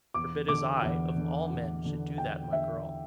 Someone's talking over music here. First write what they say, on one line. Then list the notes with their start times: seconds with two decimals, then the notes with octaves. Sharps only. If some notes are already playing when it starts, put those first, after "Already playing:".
Forbid as I, of all men, should do that, my girl!
0.14 E2 D6
0.49 D3 D6
0.83 E2
1.16 D3
1.50 E2
1.85 D3
2.18 E2 G5
2.52 D3 E5